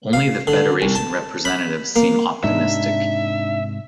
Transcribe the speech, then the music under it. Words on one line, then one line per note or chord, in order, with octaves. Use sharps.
Only the Federation representatives seem optimistic.
F5
D3
C2
A5
B5
A#3
G#2 C3 G#3 D4 D#4 E5